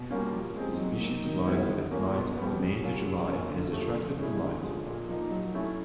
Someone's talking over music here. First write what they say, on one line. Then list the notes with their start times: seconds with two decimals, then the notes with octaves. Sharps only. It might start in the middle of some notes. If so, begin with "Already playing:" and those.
The species flies at night from May to July and is attracted to light.
Already playing: B2
0.10 G3 A#3 C#4 F4
0.32 F3
0.56 G#3 C4 D#4
0.78 F#3
1.00 A#3 D#4
1.24 D#3
1.46 G3 B3 E4
1.69 D3
1.91 F3 A#3 C#4
2.14 B2
2.37 G3 B3
2.59 C#3
2.82 F#3 A#3 C#4 F4
3.05 F#3
3.27 A#3 C#4 F4
3.50 D3
3.73 F3 A3
3.95 F3
4.18 G#3 C#4 E4
4.41 D3
4.63 F3 G#3
4.86 A#2
5.09 F3 A#3 D#4
5.31 F#3
5.54 A3 C#4 E4